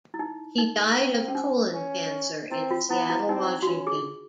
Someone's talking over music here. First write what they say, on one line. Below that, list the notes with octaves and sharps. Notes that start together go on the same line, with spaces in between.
He died of colon cancer in Seattle, Washington.
E4
D#4
D#4
C4
C#4
D4
C#4
C4 E4
F4
B3 E4
E4
C4 D#4
F#4
C#4 F4
G#4